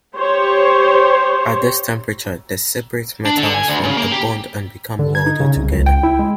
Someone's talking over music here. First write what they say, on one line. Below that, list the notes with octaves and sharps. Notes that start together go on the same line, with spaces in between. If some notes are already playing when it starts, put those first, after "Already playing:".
At this temperature the separate metals form a bond and become welded together.
G4 C5 C#5
D4
D3
G#5
D2
C#3
A#3
G4
D3
G#6
D#4
C#3
C2
C#2
G5
E4
G#3